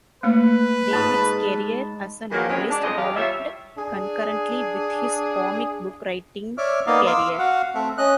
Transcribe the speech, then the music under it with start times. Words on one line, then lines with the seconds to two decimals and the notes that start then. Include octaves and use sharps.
David's career as a novelist developed concurrently with his comic book writing career.
0.23 A3 A#3 B4
0.91 G#2 A5 B5
2.31 D#3 E3 F#3 G#3 A#3
2.48 D#3 E3 F#3 G#3 C4 C#4
2.70 D4
2.82 F2 C#3 G#3 F4 D#5
2.97 E2 D4 G4 F5
3.16 G3 F4 C#5 E5
3.77 D4 G#4
6.58 C#5 D5 E5 D6 F6
6.87 A#3 B3 D#4 D5 D#5 F5
7.07 F5 C6 D6 E6
7.38 F#4 F5 F#5
7.75 A3 C4 E5
7.98 C#4 D#5 F#6